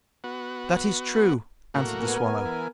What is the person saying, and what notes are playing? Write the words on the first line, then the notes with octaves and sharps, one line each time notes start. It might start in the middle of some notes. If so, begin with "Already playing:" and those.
'That is true,' answered the swallow.
B3 F#4
A2 A#3 F#4
B3 A#4 G#5
E3